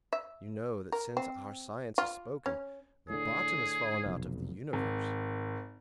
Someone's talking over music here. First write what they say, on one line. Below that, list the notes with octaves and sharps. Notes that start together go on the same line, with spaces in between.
You know that since our science has spoken, the bottom has fallen out of the Universe.
E5
A#4
C4
F4
C#4
A2 D3 G#4
F1 B1
G#1